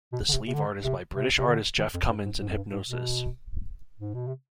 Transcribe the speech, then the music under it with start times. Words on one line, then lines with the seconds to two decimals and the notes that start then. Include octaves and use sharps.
The sleeve-art is by British artist Jeff Cummins and Hipgnosis.
0.13 B2
0.29 D3
0.33 C3
0.48 C3
0.54 D3
0.85 C3
1.16 C3
1.39 C3
1.47 D3
1.79 D#3
1.94 F2
2.09 G2
2.26 G#2
2.41 G#2
2.49 F2
2.57 G2
2.73 G#2
2.88 B2
4.00 G#2
4.15 B2
4.28 C3